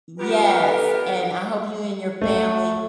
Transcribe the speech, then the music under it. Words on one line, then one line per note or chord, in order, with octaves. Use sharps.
Yes, and I hope you and your family
B3 F4 G4 A#4 B4
A4
A3